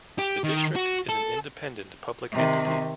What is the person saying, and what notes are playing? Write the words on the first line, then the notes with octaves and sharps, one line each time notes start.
The district is an independent public entity.
G4
D#3
F#4
A4
C3 D#3